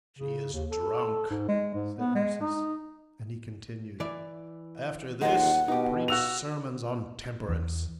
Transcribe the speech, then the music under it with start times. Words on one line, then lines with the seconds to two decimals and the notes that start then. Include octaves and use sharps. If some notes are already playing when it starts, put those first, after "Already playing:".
"She is drunk," said Ursus; and he continued, "After this, preach sermons on temperance!"
0.19 C#3
0.53 D#2
0.71 A4
1.30 G#2
1.48 G#3
1.75 G#2
1.99 B3
2.15 G#3
2.41 D#4
4.00 E3 D5
5.21 D#2 G#3 D#4 F4 F#5
5.68 B2 D#4 G4
6.08 F#4 E6 F7
7.48 E2